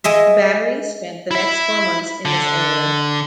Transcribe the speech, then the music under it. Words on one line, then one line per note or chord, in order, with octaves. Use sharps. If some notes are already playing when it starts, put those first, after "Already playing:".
The battery spent the next four months in this area.
G#3 D#5 E5
E4 E5
D3